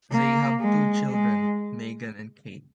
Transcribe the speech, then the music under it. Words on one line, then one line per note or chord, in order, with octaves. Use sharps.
They have two children, Meghan and Kate.
A#3
G#3
G#3